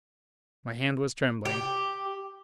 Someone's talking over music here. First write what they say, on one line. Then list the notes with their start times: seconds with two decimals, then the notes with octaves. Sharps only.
My hand was trembling.
1.45 G4